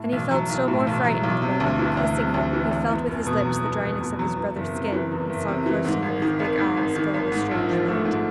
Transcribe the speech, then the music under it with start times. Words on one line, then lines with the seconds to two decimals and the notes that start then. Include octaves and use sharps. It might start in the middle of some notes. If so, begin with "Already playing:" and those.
And he felt still more frightened when, kissing him, he felt with his lips the dryness of his brother's skin and saw close to him his big eyes, full of a strange light.
Already playing: A2
0.12 B1
0.31 F#3
0.49 B1
0.68 A2
0.87 B1
1.05 F#3
1.23 B1
1.42 C3
1.60 D2
1.79 E3
1.97 D2
2.16 C3
2.34 D2
2.53 E3
2.71 D2
2.90 E2
3.07 F1
3.26 B2
3.44 F#3
3.63 E2
3.81 F1
4.00 B2
4.19 F#3
4.37 E2
4.56 F#1
4.73 C3
4.92 E3
5.11 E2
5.29 F#1
5.48 C3
5.66 E3
5.85 G#2
6.02 G#1
6.22 D#3
6.40 G#1
6.58 G#2
6.77 G#1
6.96 D#3
7.14 G#1
7.32 G#2
7.51 A#1
7.69 F3
7.88 A3
8.05 G#2